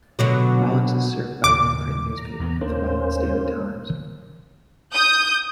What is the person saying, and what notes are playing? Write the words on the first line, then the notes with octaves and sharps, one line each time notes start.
Rawlins is served by one print newspaper, the "Rawlins Daily Times".
B2 D3 F#3
D#2 A2 C#3 D6
A#5
E2 B3
D#2 A#3 C#4 D4 C5
D#6 G6